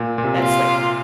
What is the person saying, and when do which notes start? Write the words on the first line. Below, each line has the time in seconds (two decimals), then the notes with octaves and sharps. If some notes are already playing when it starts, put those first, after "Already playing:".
That's, like,
Already playing: A#2
0.18 A#2
0.24 C3
0.40 F4